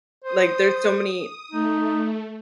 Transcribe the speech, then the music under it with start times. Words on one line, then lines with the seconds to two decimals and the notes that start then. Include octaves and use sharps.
Like there's so many
0.24 C5 D#6
1.52 A3 D#4